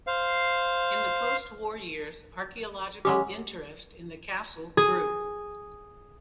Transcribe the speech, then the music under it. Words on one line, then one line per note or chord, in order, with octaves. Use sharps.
In the post-war years, archaeological interest in the castle grew.
C5 F5
F#3 G#3 C#4 G4
G#4